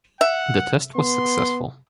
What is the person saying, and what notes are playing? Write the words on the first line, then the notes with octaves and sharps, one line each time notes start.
The test was successful.
E5 F#5
B3 C6